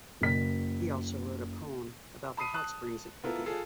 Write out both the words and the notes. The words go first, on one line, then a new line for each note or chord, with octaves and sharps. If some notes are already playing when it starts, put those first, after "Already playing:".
He also wrote a poem about the hot springs at Pythia.
F#1 B6
A5 B5 D#6 C7 D#7
A5 D#6 F#6
B3 E4 F4 A4 A#4
F4 G#4 A4